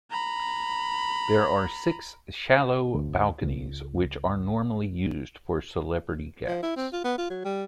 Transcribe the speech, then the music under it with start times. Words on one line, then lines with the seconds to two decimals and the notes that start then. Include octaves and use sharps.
There are six shallow balconies which are normally used for celebrity guests.
0.11 A#5 B5
2.94 D2
3.41 C#2
6.47 F3
6.62 E4
6.76 C4
6.93 F4
7.04 B3
7.18 F4
7.30 F#3
7.45 G3